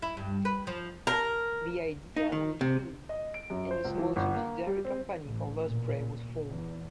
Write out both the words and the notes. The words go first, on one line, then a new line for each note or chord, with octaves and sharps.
The idea was approved and a small subsidiary company called Osprey was formed.
E4
G2
B4
F3
A#4
D#4
D#3
C3
D#5
D7
F#2
C5
C#2
E3
G1
A#3
G3
C4
A1
A#2
E2